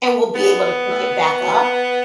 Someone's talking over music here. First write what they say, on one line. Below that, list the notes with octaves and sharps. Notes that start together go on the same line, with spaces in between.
and we'll be able to pick it back up.
G#2 F#3 B3
A2 E3
A2 F#3